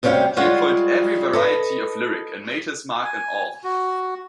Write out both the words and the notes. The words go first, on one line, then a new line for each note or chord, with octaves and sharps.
He employed every variety of lyric and made his mark in all.
D2 C3 G3 C#4 F5 G5
G3 G#3 F4 C#5 F#5
A4 B4 D#5
G#5
F#4